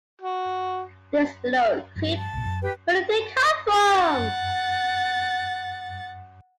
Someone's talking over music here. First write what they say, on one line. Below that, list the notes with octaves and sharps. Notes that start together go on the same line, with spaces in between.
This little creep, where did he come from?
F#4
G2 F3
A5
C2 A#2
F#2
G4 B4 G5
F#5 A6